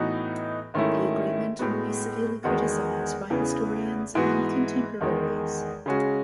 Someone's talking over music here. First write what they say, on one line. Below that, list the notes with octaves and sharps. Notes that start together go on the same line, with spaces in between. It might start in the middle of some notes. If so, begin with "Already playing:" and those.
The agreement would be severely criticized by historians and contemporaries.
Already playing: A2 E3 B3 D#4 F#4
G#2 D#3 A3 C#4 E4
A2 G#3 B3 F#4
E2 D#3 G#3 B3 F#4
E2 C#3 E3 B3
G#2 E3 B3 F#4
E2 D#3 G#3
C#3 G#3 C#4 F#4